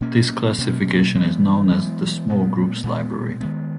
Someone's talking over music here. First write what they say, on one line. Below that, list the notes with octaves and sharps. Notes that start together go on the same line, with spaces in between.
This classification is known as the Small Groups Library.
B2 A#3 C#4
B2 A#3 C#4
E3 G#3 B3
E3 G#3 B3
A#2 G#3 B3
A#2 G#3 B3
D#3 G#3 B3